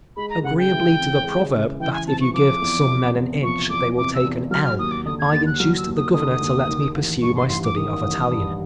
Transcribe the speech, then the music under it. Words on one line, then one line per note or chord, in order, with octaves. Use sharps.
Agreeably to the proverb that if you give some men an inch they will take an ell, I induced the Governor to let me pursue my study of Italian.
G#3 B5
A#5
C#3 F#5
G5
E3
C4
G#3
C#3
E3 G5
G#5
C4 A5
C#6
F3 D6
E2
C3
E2
F3 C#6
E2 D6
C3 D6
E6
E2
F#3 F6
F6
D#2 D#6
D6
D3 D#6
G#6
D#2 A6
F#6
F#3 F6
E6
D#2
D#6
D3 D#6
D#2
D#3
A1
G2 C#6
C6
A1 C6
D6
D#3 D#6
A1
G2